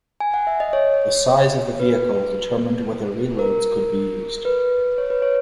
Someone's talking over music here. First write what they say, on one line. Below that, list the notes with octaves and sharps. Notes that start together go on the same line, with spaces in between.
The size of the vehicle determined whether reloads could be used.
G#5
F#5
E5
D#5
C#5
B4
A#4
B4
C#5
B4
C#5